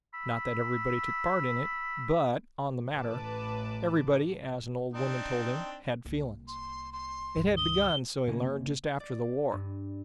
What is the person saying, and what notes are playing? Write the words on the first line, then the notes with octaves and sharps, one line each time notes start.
Not that everybody took part in it but, on the matter, everybody, as an old woman told him, "had feelin's." It had begun, so he learned, just after the war.
B5 E6
A1 B4 A5 D6
C4 D4 D#4
C2 A#3
C6
C6
C#2 G2
D#6 G7
C#3 A#3 C4 C#4
D5
G2